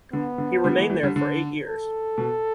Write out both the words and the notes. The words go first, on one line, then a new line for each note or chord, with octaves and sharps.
He remained there for eight years.
D3 B3
D3
D3 G3
E3 A3
E3 A3
D3 G3
D3
A4
B2